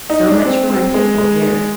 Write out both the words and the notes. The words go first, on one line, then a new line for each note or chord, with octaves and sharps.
So much for my pupil, dear!
D#4
D4
C4
C4
G#3
G#3
G#3